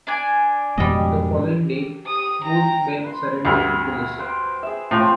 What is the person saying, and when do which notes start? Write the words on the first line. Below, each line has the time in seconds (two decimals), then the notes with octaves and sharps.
The following day, both men surrendered to police.
0.07 D4 D5 G#5
0.78 F2 G#2 B2 G3 D#5
1.62 G4
2.06 G4 D#6
2.44 G5 A#5
3.04 B4 C6
3.45 D2 G2
4.18 B4 C5 G5
4.63 G#4 E5
4.91 A2 F3 C4 C5